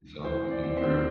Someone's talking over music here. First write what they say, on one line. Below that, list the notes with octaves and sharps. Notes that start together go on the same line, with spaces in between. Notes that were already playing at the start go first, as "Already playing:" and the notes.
it's all thinking through,
E3 C5
C4
D5
C4
C5
C4